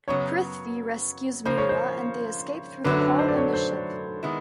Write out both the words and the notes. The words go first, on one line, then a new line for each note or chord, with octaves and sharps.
Prithvi rescues Meera and they escape through the hole in the ship.
F#2 C#3 F#3 B3 C#5
C#3 F3 A#3 C5
C#5
C5
F#2 D3 F#3 A3 D4 B4
B4
C5
D5
C#5
C5
D#3 G#3 B3 E4